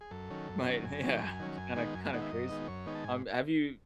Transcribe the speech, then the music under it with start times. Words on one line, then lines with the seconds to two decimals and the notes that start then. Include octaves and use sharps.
you might Yeah. It's kinda kinda crazy. Um, have you
0.01 G#4
0.11 F#2 A4
0.30 D#3 F#3 C#4
0.49 F#2
0.66 D#3 F#3 C#4
0.84 F#2 G#5
1.03 D#3 F#3 C#4
1.21 F#2 G#5
1.40 D#3 F#3 C#4
1.58 F#2 G#5
1.76 D#3 G#3 B3 D#4
1.94 F#2 G#5
2.04 G#5
2.13 D#3 G#3 B3 D#4 F#5
2.22 E5
2.31 F#2 D#5
2.49 D#3 G#3 B3 D#4
2.68 F#2 C#5
2.86 D#3 G#3 B3 D#4
2.95 A5
3.04 G#2 G#5